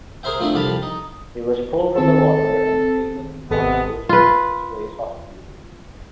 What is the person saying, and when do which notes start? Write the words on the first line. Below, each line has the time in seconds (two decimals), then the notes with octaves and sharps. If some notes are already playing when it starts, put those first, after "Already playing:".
He was pulled from the water and taken to Monaco's Princess Grace Hospital.
0.23 G#4 A#4 C5 E5 G5
0.39 F3 A3 C4 D4 E4
0.54 C2 F2 G4 F5 A5 B5
0.83 D#4
1.96 D#3 C4 G#4 A4
3.51 G#1 C3 G#3 B3 A4
4.09 F4 B4